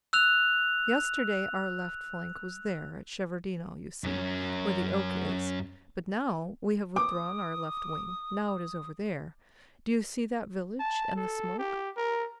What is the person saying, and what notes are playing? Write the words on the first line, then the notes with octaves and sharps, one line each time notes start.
Yesterday our left flank was there at Shevardino, you see, where the oak is, but now we have withdrawn our left wing--now it is over there, do you see that village and the smoke?
E6 F#6 F7
F#2 C#4
D6 D#6
A5
A4
G4
A#4